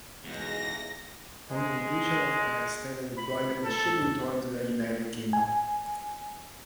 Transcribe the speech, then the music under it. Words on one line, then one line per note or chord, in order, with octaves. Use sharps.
On completion of her extended deployment the ship returned to the United Kingdom.
B1 E2 C#3 G#3 A#6
G#3
B5
A4
G#5